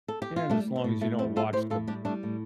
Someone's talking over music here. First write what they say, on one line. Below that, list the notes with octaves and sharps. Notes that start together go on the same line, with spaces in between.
Yeah, and as long as you don't watch the
A4
G4
F4
G3 A3 D4
G3
C4
A2
A2 A3
G3 C4
A2 F4 A4
A2 G4 C5
A2 F4 A4
G3 D4 G4
G3 A3 D4
A2